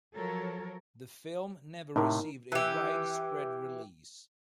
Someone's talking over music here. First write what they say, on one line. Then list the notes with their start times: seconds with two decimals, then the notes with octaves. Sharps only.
The film never received a widespread release.
0.13 F3 F#3 A4 A#4 C#5
1.96 A2 C3 D#4 A#4
2.52 E3 G4